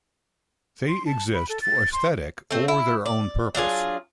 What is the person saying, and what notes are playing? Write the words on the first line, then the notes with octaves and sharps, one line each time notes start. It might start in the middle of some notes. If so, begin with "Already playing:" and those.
They exist for aesthetic or their own purpose.
C6
A5
B5
A4
A6
C6
A3 C4
E4
D5
F#3 D4 F4 G#4